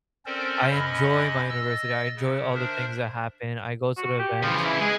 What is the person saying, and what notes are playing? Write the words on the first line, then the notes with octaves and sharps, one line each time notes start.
I enjoy my university, I enjoy all the things that happen, I go to the events,
C4 C#4 A4 A#4 C5 D5
F#2 C#4 D#5 B5
D#5 E6 A6
C#3
D4 A#4 C5 E5
F#4
G4
C#3 E3 F3
E4
G#3 G#4